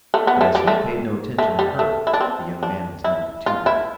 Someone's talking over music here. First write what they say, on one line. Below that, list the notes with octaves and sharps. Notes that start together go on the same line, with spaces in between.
But as he paid no attention to her, the young man was nothing to her.
A3
B3
A3
G3
A3
A3
G3
A3
E4
D4
C4
D4
E4
F4
E4